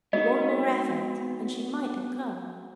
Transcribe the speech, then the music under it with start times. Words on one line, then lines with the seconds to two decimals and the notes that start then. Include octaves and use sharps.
One more effort, and she might have come.
0.13 F#3 G#3 B3 D#4 D#5